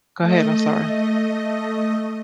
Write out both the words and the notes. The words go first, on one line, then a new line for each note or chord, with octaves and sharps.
go ahead, I'm sorry.
A3 D#5